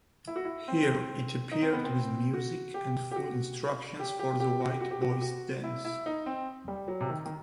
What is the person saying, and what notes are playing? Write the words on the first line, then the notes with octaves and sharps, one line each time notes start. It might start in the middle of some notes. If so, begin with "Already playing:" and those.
Here it appeared with music and full instructions for the White Boys Dance.
E4
F#4
E4
C4
D#4
C4
B3
C4
F#4
G4
G4
F#4
G4
G4
G4
F#4
G4
F#4
G4
F#4
G4
F#4
E4
E4
D#4
C4
G3
F#3
C3
D#3
D#3